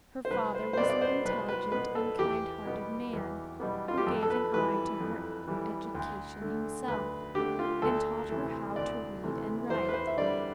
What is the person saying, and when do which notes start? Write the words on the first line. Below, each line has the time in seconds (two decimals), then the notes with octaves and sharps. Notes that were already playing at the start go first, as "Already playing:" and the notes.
Her father was an intelligent and kind-hearted man who gave an eye to her education himself, and taught her how to read and write.
0.25 C5
0.31 C2 B4
0.55 C5
0.73 C5
0.78 B2 B3 D5
0.90 D5
1.01 C5
1.25 C2 B4
1.49 B4
1.72 B2 B3 B4
1.95 A4
2.19 E2 G4
2.65 B2 G3 B3
3.13 E2
3.60 B2 G3 B3
3.88 F4
3.98 G4
4.07 F2 A4
4.23 A4
4.30 B4
4.54 E3 G3 B4
5.00 F2
5.47 E3 G3
5.95 D2
6.42 D3 A3
6.88 D2 B4
7.35 D3 A3 G4
7.59 F4
7.82 D2 A4
8.29 C3 E3 A3
8.76 D2 D5
9.23 C3 E3 A3
9.70 E2 C5
9.89 B4
9.94 C5
10.07 E5
10.17 D3 G3 D5